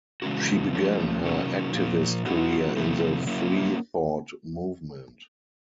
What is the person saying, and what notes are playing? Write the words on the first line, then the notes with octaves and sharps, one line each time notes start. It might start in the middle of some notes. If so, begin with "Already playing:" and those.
She began her activist career in the freethought movement.
C#3 E3 G#3 C#4 F#4
F3 A3 C#4
C3 D#3 F#3 A#3 C#4
A#2 F3 A#3
B3 D#4 F#4
C3 F3 A3 C4 E4
F#3 A#3 C#4 E4